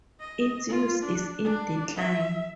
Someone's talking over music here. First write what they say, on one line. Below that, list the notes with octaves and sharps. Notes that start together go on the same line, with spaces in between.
Its use is in decline.
D#5
F4
D4
D4
E5